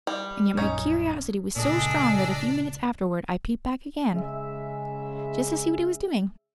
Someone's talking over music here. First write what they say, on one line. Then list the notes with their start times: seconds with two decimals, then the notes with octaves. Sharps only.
And yet my curiosity was so strong that a few minutes afterward I peeped back again, just to see what he was doing.
0.07 G3
0.57 A#1 F#2 C#4 D#4 C#5
1.56 C#2 A#2 D4 G#4 A4 D#5
4.12 C#3 G#3 G#4 E5